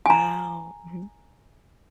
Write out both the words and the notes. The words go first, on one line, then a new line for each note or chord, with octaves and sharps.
Wow, mhm.
G#5 A#5